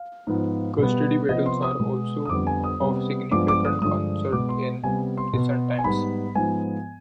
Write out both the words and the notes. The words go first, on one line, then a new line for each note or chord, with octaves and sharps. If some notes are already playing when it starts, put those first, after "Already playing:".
Custody battles are also of significant concern in recent times.
Already playing: F5
G#2 F3 B3
B2 G3 B3
C3 F3 B3 D#5
C6
D#6
B2 G#3 B3
D#6
F2 D3 G3 B3 D6
G#5
D#6
C3 G3 B3
G2 F3 G#3 B3 D6
D6
D#6
G2 D3 F3 G#3 D#6
B2 G#3 B3 D6
C6
C3 G3 B3 G#5
C6
B2 B3
G#5
G#2 G3 B3 B5
G#2 F3 G#3 B3 G#5